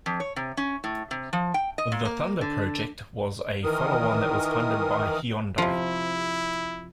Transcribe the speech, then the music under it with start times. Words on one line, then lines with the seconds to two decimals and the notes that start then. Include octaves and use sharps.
The "Thunder" project was a follow-on that was funded by Hyundai.
0.06 F2
0.20 C#5
0.36 C3
0.57 C#4
0.84 A2
1.11 C3
1.33 F3
1.54 G5
1.78 D#5
1.92 A#2
2.05 A#3
2.41 D3
3.64 D#3 E3 A#4 D#6
5.58 C3 F3 E4